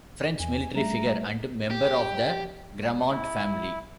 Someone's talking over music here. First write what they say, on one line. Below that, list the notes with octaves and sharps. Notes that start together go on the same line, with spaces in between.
French military figure and member of the Gramont family.
E2 G#5
G3 A3 E5 A#5
G4
E4